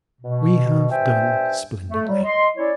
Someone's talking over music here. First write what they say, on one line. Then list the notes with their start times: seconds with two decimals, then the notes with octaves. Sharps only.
We have done splendidly.
0.21 B2
0.91 G2 C5 E5 G5 G#5
1.90 A3
2.06 F#3 G3
2.24 D#5 C6
2.56 C#4 E4 C#5 D5